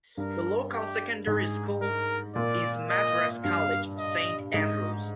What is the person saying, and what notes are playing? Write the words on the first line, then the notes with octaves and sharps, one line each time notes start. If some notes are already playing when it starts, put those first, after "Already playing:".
The local secondary school is Madras College, Saint Andrews.
G2 A#4
G4
G#2 G#4
A#4
A#2 D5
D#5
G2 F5
D#5
G#2 D#5